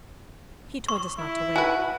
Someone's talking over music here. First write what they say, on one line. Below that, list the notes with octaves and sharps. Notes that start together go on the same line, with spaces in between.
He told us not to wait.'
C#6
E4
F#4 B4 G#5